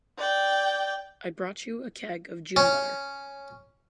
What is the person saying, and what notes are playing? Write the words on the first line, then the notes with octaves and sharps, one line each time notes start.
I brought you a keg of June butter.
D5 G5
C#4